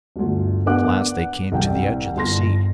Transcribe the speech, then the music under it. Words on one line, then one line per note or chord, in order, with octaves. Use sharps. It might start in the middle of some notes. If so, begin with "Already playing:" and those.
At last they came to the edge of the sea.
G1 D2
B3 D4 A#4 F#5 D6 F#6
C2 C3 G5
G1 C6 A#6